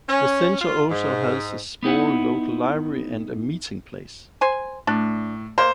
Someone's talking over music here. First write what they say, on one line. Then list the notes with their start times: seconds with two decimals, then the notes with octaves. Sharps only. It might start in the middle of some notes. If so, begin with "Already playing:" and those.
The centre also has a small local library and a meeting place.
0.09 C#4
0.61 F4
0.90 G#2
1.83 B3 D#4 E4 F#5
4.41 C5 G#5
4.87 A2 D4
5.58 A#3 C5